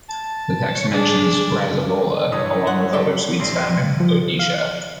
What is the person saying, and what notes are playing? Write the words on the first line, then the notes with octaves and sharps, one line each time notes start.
The text mentions Rasagola, along with other sweets found in Odisha.
A5
C#5 C#6
D4 G#4
G2 E3 C#5 D#6
F#5
G3 A4 G5
A#1 C6
F3
F5